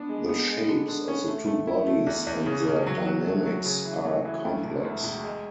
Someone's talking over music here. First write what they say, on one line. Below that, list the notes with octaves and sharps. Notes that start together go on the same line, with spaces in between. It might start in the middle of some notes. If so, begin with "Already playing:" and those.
The shapes of the two bodies and their dynamics are complex.
Already playing: B3 D4
G#3
B3
G#3
D3
D3
C#4
A3
A3
E4
A3
E2
E2
C#3
C#3
F#3
F#3
A3
F#3
C#3
E3
A3
E3
D2
E1
D2
E1
G#3